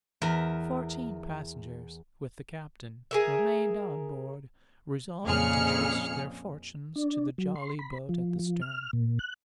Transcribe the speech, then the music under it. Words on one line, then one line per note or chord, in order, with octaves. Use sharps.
Fourteen passengers, with the captain, remained on board, resolving to trust their fortunes to the jolly-boat at the stern.
E2 A#4 E5
G#4 A#4 E5
F2 A#2 C#3 G#4 F6 C#7
D4
F#3
C6
B5
F3
F3
F6
A#2
F#6